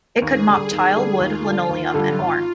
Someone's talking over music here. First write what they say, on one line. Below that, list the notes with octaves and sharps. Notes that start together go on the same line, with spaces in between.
It could mop tile, wood, linoleum, and more.
D#2 G#4
D3 G3
D#2
D3 G3
D#2 F4
D3
G3
D#2 F4
D3 G3
G#1